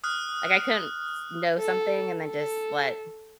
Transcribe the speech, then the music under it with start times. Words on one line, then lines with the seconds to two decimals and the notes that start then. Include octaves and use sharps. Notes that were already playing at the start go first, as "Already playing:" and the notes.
like, I couldn't s know something and then, just, let
0.04 D#6 F6 F#6
1.60 A4
2.24 A4